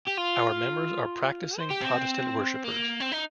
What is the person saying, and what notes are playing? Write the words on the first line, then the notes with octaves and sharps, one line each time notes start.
Our members are practising Protestant worshippers.
G4
F4
C5
G4
C4
A#3
C4
D#4